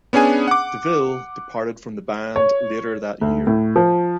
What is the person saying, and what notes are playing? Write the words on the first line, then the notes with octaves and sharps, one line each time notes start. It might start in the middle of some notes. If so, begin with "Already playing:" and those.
DeVille departed from the band later that year.
B3 C#4 D4 G#4 G#5
F#5 D6
C#5
D2
A2
F3